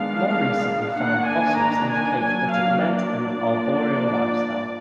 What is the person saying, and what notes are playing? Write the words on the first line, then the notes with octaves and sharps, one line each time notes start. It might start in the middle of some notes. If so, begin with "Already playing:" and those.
More recently found fossils indicate that it led an arboreal lifestyle.
Already playing: D#3 G#3 B3 D4 F5
D#3 A#3 D4 F#5
G#5
A#5
G#5
F#3 A#3 D4 G#5
F5
D5
F3 A#3 D4